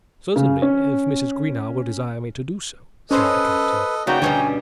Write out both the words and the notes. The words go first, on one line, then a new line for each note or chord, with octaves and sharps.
"Certainly, if Mrs. Greenow will desire me to do so," said the Captain.
C#3
C#4
C#4 A4 B4 C5 D#5
C#3 A#3 D#4 F#4 B4 D5 G5 A#5
D2 G2 B2 G3 C#4 G#5